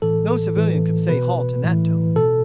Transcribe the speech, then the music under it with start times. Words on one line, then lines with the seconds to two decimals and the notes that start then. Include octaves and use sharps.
No civilian could say halt in that tone.
0.02 A2 E3 A4
0.56 A2 E3
1.09 B2 B4
1.63 A2 E3
2.16 B2 A4